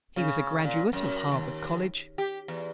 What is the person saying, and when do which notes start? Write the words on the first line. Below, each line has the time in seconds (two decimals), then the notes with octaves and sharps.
He was a graduate of Harvard college.
0.16 C#3
0.64 A#2
0.93 F#2
1.32 D#2
2.18 G4
2.48 E2